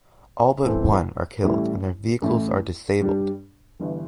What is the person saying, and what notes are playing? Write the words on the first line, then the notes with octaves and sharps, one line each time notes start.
All but one are killed and their vehicles are disabled.
E2 E3 C4 A4
A1 A2 G3 E4
A1 A2 A3 E4
G2 G3 D4 G4
G1 G2 E3